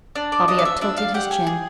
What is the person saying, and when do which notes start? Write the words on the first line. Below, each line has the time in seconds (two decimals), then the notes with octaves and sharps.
Bobby uptilted his chin.
0.15 D4
0.32 D5
0.48 D4 D#5
0.59 F5
0.65 E5
0.81 D4 E5
0.98 F5
1.14 G4 F#5
1.31 G#5
1.47 G#4